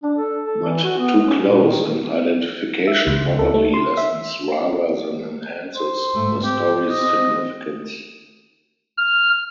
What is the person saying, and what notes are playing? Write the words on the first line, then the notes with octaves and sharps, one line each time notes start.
But too close an identification probably lessens rather than enhances the story's significance.
D4
A4
A4
E3
F#4
B3
C#4
A#2
D#3
E5
C#2
A4
A3
C6
E5
C5
G#2 A3
C4 G4
D#5
F6